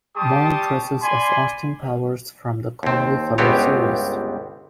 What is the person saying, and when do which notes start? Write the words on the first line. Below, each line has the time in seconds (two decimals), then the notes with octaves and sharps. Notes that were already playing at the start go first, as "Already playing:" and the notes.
Moe dresses as Austin Powers from the comedy film series.
0.16 G3 G4 A5 C6 C#6 D#6
1.02 D5 G#5 B5 C6
2.83 D#2 C4
3.38 G1 C#2 B3 C4 G4 C#5